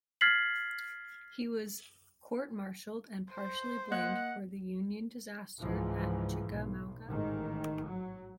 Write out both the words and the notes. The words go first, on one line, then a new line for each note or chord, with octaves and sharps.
He was courtmartialed and partially blamed for the Union disaster at Chickamauga.
F6 G#6 A6 B6 C7 F#7
C5
A#3 D#5 F#5 F#6
C#2 G#2 E3 F3
B1
A1 G#2 D#3
F#3